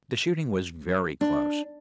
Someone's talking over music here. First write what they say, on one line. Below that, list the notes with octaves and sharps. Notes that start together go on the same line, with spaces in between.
The shooting was very close.
D4